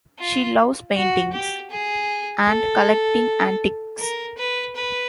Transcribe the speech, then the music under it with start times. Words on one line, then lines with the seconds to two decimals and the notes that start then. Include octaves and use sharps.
She loves paintings and collecting antiques.
0.19 F4
0.96 F#4
1.33 G4
1.71 G#4
2.47 A4
3.99 A#4
4.37 B4
4.76 B4